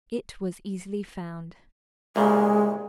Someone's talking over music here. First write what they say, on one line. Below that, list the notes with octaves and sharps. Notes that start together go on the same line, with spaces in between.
It was easily found.
C2 A#2 C#3 G#3